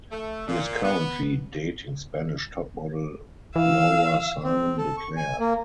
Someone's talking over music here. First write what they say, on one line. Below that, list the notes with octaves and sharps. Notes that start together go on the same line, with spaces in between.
He is currently dating Spanish top model Laura Simon de Claire.
A3
A#2
B3
E3 F5 E6
C4
A4
C#6
G#5
A#3